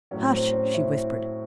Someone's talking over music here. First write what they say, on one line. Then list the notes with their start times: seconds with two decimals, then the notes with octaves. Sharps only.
"Hush!" she whispered.
0.11 A2 F#3 C#4
0.32 C4
0.53 C#4
0.74 E4